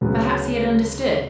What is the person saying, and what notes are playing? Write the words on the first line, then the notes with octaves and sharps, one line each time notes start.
Perhaps he had understood.
D2 C#3 F#3 B3